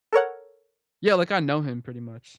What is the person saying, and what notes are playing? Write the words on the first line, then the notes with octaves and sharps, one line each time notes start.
Yeah like, I know him pretty much.
A4 A#4 C#5 F#5